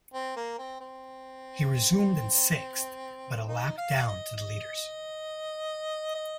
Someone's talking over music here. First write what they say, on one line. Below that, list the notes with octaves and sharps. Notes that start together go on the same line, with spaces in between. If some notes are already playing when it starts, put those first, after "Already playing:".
He resumed in sixth but a lap down to the leaders.
C4
A#3
C4
C4
D#4
F5
D#5
D#5
D#5